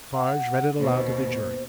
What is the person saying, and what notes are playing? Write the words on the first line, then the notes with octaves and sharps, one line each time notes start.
Defarge read it aloud to the jury.
F#5
D#2 B2 C5